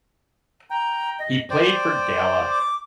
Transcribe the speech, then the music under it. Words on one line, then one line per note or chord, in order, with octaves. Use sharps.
He played for Gala.
G5 A#5
D#5
C5 D5 G5
D6